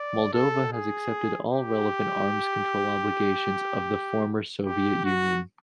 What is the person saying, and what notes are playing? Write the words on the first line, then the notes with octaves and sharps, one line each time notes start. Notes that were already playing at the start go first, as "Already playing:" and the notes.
Moldova has accepted all relevant arms control obligations of the former Soviet Union.
Already playing: D5
A4
G#4
G4
G4
F#4